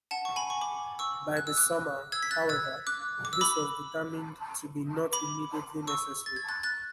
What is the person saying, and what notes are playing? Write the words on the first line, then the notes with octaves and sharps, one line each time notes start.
By the summer, however, this was determined to be not immediately necessary.
F#5 A5
C#6
G#5 B5
C#6
B5 D6
C#6 E6
F#6
E6
D6 F#6
E6 G#6
B6
F#6 A6
E6 G#6
D6 F#6
D6
E6
B5 D6
B5 D6
C#6 E6
A6
G#6
F#6 A6
F#6 A6